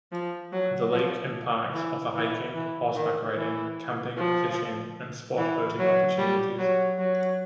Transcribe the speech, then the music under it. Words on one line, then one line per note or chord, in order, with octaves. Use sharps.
The lake and parks offer hiking, horseback riding, camping, fishing, and sport boating opportunities.
F3
F#3
F3
E3
E3
E3
D#3
E3
F3
E3
F#3
G3
F#3
F#3